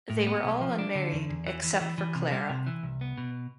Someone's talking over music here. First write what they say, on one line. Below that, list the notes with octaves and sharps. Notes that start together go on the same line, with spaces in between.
They were all unmarried except for Clara.
A2
B3
B1
F3
D4
D3
E2
E2
E3
E3
E3
E3
C3
G3
C3
E3
C2
B3
B2